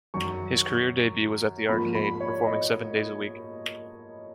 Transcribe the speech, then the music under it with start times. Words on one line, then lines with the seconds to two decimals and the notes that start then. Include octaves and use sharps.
His career debut was at the Arcade, performing seven days a week.
0.14 F#2 D#3 F#3 C#6
1.69 G#2 F3 A#3 B5
1.95 B5
2.20 C#5
2.46 D#5